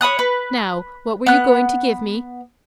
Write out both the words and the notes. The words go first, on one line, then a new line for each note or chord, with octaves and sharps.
Now, what were you going to give me?
C#5 B5 D#6 F#6
B4
B3 F#6